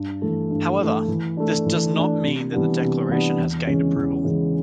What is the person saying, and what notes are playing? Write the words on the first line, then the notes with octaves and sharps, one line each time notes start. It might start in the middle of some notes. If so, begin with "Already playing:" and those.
However, this does not mean that the Declaration has gained approval.
Already playing: G2
E3 A3
G2
E3 A3
E3
A3 D4
E3
A3 D4
C3
E3 G3 B3 D4
C3
E3 G3 B3 D4
E2
C#3 E3 G#3 C#4
E2
C#3 E3 G#3 C#4